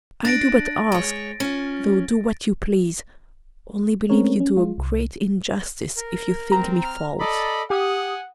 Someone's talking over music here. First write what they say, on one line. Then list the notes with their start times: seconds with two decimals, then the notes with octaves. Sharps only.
I do but ask, though do what you please, only believe you do a great injustice if you think me false.
0.25 D4 A6 A#6 D7
0.92 G#3 C#5
1.40 C#4 F4
4.10 G#3 A3 C4 C#4 A#4 C#5
4.40 C#4
4.57 G#3 F4
4.78 C2
5.96 A#4
6.52 C4 A#5
6.84 F6
7.20 A4 D5 D#5 B5
7.70 G4 F#5 G#5 D#6